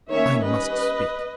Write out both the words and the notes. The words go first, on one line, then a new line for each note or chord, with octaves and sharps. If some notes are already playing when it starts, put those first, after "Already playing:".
I must speak.
D#3 A#3 C#4 C#5 E5
G3 C#4 B4 D#5